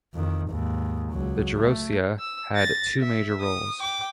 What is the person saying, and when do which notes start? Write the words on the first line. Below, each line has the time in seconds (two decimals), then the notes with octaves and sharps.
The "Gerousia" had two major roles.
0.14 F2 D#3
0.50 D#2 G#2
1.12 C#2 F#3
1.55 A3
2.19 E6
2.55 A6 A#6
3.00 E5
3.41 D#6
3.80 G5 D6